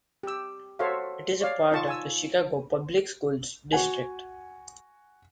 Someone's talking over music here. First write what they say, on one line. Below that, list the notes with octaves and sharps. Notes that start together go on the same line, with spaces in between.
It is a part of the Chicago Public Schools district.
G4 E6
F#4 A4 C5 C#5 E5 F5
C#5 D5 F5
D#4 F4 A5 C#6
G#5 E6
F#4 F#5 G#5